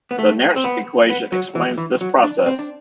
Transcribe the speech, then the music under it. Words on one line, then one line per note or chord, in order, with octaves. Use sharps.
The Nernst equation explains this process.
B3
A3
C4
B3
B3
F#3
E3
E3
F#3
D4
C4
D4